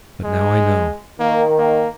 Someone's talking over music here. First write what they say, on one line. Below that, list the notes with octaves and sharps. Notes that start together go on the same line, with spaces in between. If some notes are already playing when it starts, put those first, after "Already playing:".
But now I know.
G#3
D#3 A#3
A#3